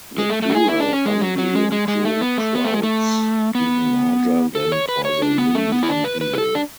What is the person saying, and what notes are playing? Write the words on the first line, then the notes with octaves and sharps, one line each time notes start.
The dual unveiling drew crowds even larger than for the Lee unveiling.
G#3
A3
A3
F#4
G#4
E4
D4
C#4
G#3
F#3
F#3
G#3
G#3
G#3
A3
B3
A3
B3
A3
G#3
A3
B3
A4
C#5
B4
C#5
D4
B3
A3
B3
E4
D4
B4
B4
G#4
A4
D4